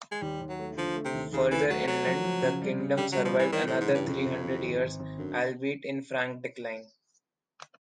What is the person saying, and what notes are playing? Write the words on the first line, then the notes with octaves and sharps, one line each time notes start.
Further inland, the kingdom survived another three hundred years, albeit in frank decline.
G#3
D#2 G3
D#2
F#3
A3
D3 F3
A3
C3
D#2
D#2 C#3
E3 A3
F#3 A3
F#3 A3
F3
F3
C#3
G3
C#3
C#3 G3
F#3 G3
F3
G3
E3
D#3 E3
A2
E3
G#2
C#3
G2
F2 C#3
C#3
E3
G#1
G#1
G#1
F#2 D3